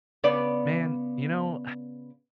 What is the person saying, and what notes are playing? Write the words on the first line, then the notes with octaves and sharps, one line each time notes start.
Man, you know,
C#3 B3 D5